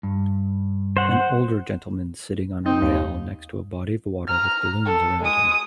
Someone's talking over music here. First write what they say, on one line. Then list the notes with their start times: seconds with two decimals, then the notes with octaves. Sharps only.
An older gentleman sitting on a rail next to a body of water with balloons around him.
0.03 G2
0.97 C5 F#5
2.66 C4 D#4
2.81 D#2
4.28 A#5 F6
4.86 A4
5.24 G#3 D#6